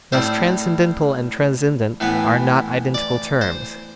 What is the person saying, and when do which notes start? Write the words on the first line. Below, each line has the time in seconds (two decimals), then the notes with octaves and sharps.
Thus transcendental and transcendent are not identical terms.
0.12 A2 G3 C4 C5
2.00 A2 E3 B3
2.94 D5
3.41 C5